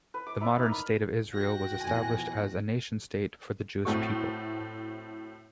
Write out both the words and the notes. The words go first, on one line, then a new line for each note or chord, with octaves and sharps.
The modern State of Israel was established as a nation-state for the Jewish people.
B4
D6
B4 D5 E5 A#5
D#4 A#4
B5
F#4 G5 F#6 A#6
F2 B2 E3 G#5
A2 A3 C4 F#4 C#6